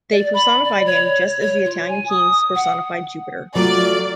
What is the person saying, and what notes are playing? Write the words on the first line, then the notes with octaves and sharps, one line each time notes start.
They personified him just as the Italian kings personified Jupiter.
D5
B5
D5
C#5
C#5
F4
G#5
D#6
F#5
F#3 A3 F4 D5